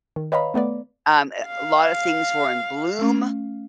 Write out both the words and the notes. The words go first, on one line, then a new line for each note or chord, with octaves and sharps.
Um, a lot of things were in bloom.
D#3
B4 C#5 D#5 F5 A#5 B5
A3 B3 B4 D5
F5
A3 C#4